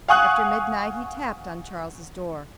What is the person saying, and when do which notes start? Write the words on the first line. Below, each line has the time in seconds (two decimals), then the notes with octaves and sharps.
After midnight he tapped on Charles's door.
0.08 F5 F#5 G#5 C#6 D#6 F#6